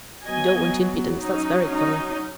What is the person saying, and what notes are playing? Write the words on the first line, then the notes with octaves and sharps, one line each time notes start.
You don't want impudence, that's very clear.'
F#3 B3 D#5 G#5
F#3 C#4 D#4
D#4